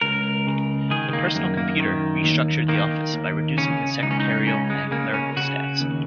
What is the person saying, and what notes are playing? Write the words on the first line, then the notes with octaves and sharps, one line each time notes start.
The personal computer restructured the office by reducing the secretarial and clerical staffs.
C#2 A#4
C#3
D#3 G#4
A#3
F#2 A#3
A#3
D#3
D#2
D#3 A#3
D#2
C#3 C#4
C#2 D#4
C#4
D#4
C#3 C#4
G#3
C#3 A#3
C#4
C#3 F#4
D#2